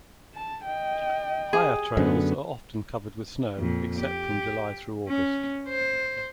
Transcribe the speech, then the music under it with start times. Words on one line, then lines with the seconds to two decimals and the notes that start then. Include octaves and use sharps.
Higher trails are often covered with snow except from July through August.
0.35 A5
0.66 D#5 G5
1.53 G#4
1.97 F#2 D3 B3
3.58 F2 A#2
3.99 G4
5.08 C#4
5.69 C5